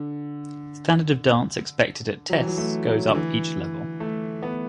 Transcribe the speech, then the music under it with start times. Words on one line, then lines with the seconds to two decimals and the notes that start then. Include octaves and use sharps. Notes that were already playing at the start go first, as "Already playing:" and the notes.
Standard of dance expected at tests goes up at each level.
Already playing: D3
2.30 F#3
2.38 E3
2.48 F#3
2.58 A3
2.86 F#3
3.08 D3
3.15 E3
4.00 A3
4.43 B3